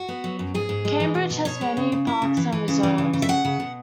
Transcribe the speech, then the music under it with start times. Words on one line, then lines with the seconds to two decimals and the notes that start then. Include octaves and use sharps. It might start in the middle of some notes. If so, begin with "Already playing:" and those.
Cambridge has many parks and reserves.
Already playing: F#4
0.09 B3
0.24 F#3
0.39 F#2
0.54 G#2 G#4
0.69 G#2
0.85 G#3
1.00 E3
1.15 B2
1.30 B2
1.45 B2 C#5
1.61 G#3
1.77 C#3
1.92 C#3
2.07 E4
2.22 C#3
2.37 E3
2.52 E3
2.68 C#3
2.83 E3
2.98 C#3
3.13 C#3
3.22 E5
3.29 C#3 F#5
3.45 C#3
3.60 B2